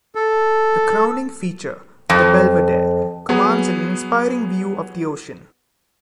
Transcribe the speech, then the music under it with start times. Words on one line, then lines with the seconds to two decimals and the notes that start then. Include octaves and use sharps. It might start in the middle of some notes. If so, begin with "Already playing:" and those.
The crowning feature, the belvedere, commands an inspiring view of the ocean.
0.15 A4
2.10 F2
3.29 F#3 B3 G#4